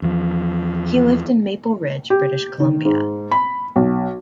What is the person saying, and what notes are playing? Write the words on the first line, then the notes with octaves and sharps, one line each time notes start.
He lived in Maple Ridge, British Columbia.
E2 F3
G4
D#3
G#2
B5
B1